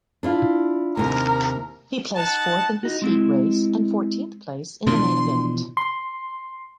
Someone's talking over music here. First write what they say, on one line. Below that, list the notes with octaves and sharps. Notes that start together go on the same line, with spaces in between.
He placed fourth in his heat race and fourteenth place in the main event.
D4 E4 F4
D#2 A2 C3 A#4
D#4 F#5 A5
D#4 F#4
G#3 C4 E4
B2 E3 F3 D4 C6
C6